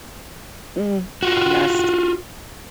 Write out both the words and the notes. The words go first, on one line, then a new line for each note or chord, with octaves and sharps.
Mm. Yes.
F4 F#4